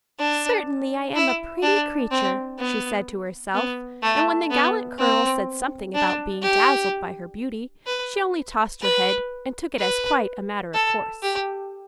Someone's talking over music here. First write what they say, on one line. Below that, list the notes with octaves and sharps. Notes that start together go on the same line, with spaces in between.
"Certainly I am a pretty creature," she said to herself; and when the gallant colonel said something about being dazzled by her beauty, she only tossed her head and took it as quite a matter of course.
D4
E4
D4
C4
B3
B3
A3
B3
C4
D4
G4
B4
B4
B4
A4
G4